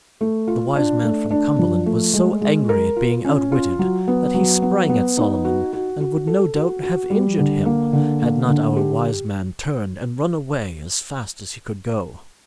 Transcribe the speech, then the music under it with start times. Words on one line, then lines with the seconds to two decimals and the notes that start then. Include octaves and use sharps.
The wise man from Cumberland was so angry at being outwitted that he sprang at Solomon and would no doubt have injured him had not our wise man turned and run away as fast as he could go.
0.21 A3
0.48 F4
0.76 D4
1.03 A3
1.31 D4
1.59 F3
1.86 A3
2.14 G#3
2.41 G#3
2.69 A#4
2.97 F4
3.25 C#4
3.52 F4
3.79 F#3
4.08 B3
4.34 F#3
4.62 B3
4.89 B3
5.17 D#4
5.45 F#4
5.73 F#4
6.00 F#4
6.27 A4
6.55 F#4
6.83 F#4
7.10 G3
7.38 D3
7.66 A#3
7.93 D3
8.21 A#3
8.48 D3
8.77 G4